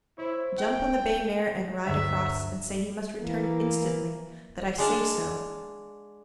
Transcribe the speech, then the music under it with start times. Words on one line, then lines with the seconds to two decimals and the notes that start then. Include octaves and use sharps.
"Jump on the bay mare, and ride across, and say he must return instantly--that I say so."
0.18 E4 C5 C#5
0.58 G5
1.86 D2 G2 E5 C#6
3.21 E3 A#3
4.78 G#3 D4 F5 A5